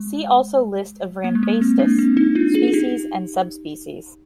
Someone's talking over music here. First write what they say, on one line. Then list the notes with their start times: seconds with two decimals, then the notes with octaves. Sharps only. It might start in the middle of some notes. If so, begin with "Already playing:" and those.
See also List of Ramphastos species and subspecies.
Already playing: G#3
1.24 A#3
1.35 G#3
1.43 A#3
1.61 C4
1.79 A#3 D4
1.99 C4
2.17 C4 D#4
2.35 D4 F4
2.54 F4 G#4
2.68 G#4
2.73 D#4 G4